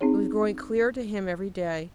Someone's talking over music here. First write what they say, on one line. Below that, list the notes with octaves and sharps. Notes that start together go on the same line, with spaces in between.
It was growing clearer to him every day.
C4 C#4 D#4 G#4 C#5